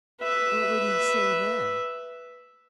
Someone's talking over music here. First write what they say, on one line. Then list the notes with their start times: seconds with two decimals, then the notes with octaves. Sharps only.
What would he say then?
0.21 B4 E5